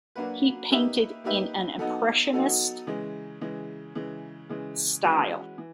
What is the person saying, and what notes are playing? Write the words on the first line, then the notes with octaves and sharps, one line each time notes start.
He painted in an impressionist style.
F#3 A#3 D4 F#4 B4
A#3 D#4 G4 B4 E5
A#3 D#4 G4 B4 E5
F#3 B3 D#4 F#4 A4
F#3 B3 D#4 F#4 A4
C#3 E3 G#3
C#3 E3 G#3
C#3 E3 G#3
C#3 E3 G#3
E3 G#3 C#4 F#4 B4
E3